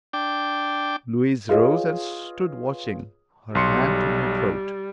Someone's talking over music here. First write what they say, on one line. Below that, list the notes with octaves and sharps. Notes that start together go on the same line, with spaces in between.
Louise rose and stood watching, her hand to her throat.
D4 G5 D6
F4 G#4 B4 C#5 D#5
B1 G3 C6 C#7